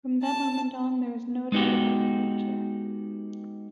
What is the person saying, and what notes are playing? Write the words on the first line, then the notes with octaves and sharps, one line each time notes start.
From that moment on, there was no doubt about her future.
A5
G#3 B3 D#4 F#4 G4